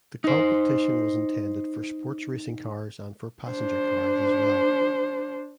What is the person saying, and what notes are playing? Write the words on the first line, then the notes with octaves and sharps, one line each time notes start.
The competition was intended for sports racing cars and for passenger cars as well.
D#4 C5
D4 C5